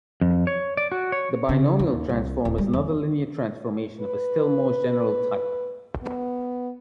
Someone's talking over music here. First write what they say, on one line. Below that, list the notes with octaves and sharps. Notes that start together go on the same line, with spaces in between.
The binomial transform is another linear transformation of a still more general type.
F2
C#5
D5
F#4
C#5
C#3
D#2
C2
D1
G3
E2
B4
B3